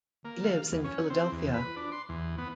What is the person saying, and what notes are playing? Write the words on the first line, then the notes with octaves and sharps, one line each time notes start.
He lives in Philadelphia.
A#3
F5
E2
C#4
C4
E2
B4
D4
C6
E2
B3